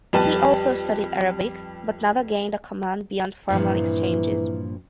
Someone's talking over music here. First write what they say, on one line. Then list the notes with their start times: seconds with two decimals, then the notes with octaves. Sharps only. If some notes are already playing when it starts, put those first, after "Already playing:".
He also studied Arabic but never gained a command beyond formal exchanges.
0.13 F2 G3 B4 A5
3.50 G2 A#2 E3 F3